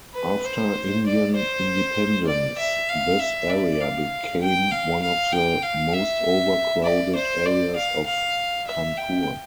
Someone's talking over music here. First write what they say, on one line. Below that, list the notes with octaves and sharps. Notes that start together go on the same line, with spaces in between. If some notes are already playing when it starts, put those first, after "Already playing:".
After Indian Independence, this area became one of the most overcrowded areas of Kanpur.
B4
C5
D5
C5
D5
E5
F5
E5
D5
F5
G5
F5
F5
G5
F5
E5
D5
C5
D5
F5
F5
E5
G5